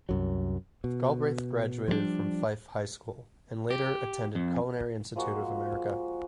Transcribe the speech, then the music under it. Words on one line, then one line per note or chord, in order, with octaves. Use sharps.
Galbraith graduated from Fife High School and later attended Culinary Institute of America.
C2 F#2 F#3
B2
F3 G3 A3 D4
G4
F2
F3 G#3 A#3 F#4